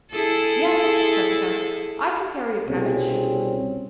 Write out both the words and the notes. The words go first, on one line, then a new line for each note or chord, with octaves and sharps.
"Yes," said Kat, "I can carry a cabbage."
E4 G#4 A4
C2 B2 G3 C4 C#4 G#4